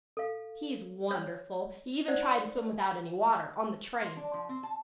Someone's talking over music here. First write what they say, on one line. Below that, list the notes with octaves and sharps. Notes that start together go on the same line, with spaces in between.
"He's wonderful! He even tried to swim without any water, on the train."
A4 F5
C#5
D#4 C5 D5 F#5
C5
D4
F3
C4
A5